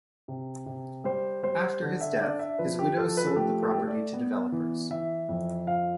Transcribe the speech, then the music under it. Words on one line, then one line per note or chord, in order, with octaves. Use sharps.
After his death, his widow sold the property to developers.
C3
C3
G3 C5
G3 C5
D3
E5
D4 D5
E5
F3 B4
G4
F3 A4
B4
A4
A3 G4
A4
G4
A3 A4
D5
B3
E3
E3 E5
F2
F3 F5